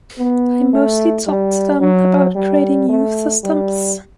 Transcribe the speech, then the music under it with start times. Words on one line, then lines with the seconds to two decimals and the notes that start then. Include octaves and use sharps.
I mostly talked to them about creating youth systems.
0.19 B3
0.73 A3
1.27 G3
1.81 F#3
2.35 G3
2.89 A3
3.44 G3